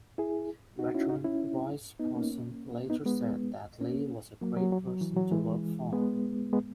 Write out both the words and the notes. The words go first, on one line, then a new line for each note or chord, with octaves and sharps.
Veteran Roy Sproson later said that Lee was a great person to work for.
E4 G#4
D#4 F#4
C#4 E4
D#4 F#4
C#4 E4
B3 D#4
A#3 C#4
B3 D#4
G#3 B3
A#3 C#4
F#3 A#3
F#3
F#3
F#3
E3
F#3
E3 G#3
G#3 B3
G#3 B3